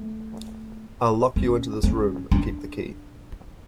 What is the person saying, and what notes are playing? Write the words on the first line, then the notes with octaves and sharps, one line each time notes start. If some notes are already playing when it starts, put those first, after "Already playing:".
I’ll lock you into this room and keep the key.
Already playing: A3
C#4
C#4
D4